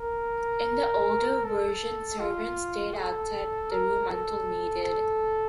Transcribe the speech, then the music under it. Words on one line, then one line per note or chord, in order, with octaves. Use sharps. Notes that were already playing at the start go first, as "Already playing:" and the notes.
In the older version, servants stayed outside the room until needed.
Already playing: A#4
A4
F4
A4
A#4
A4
A4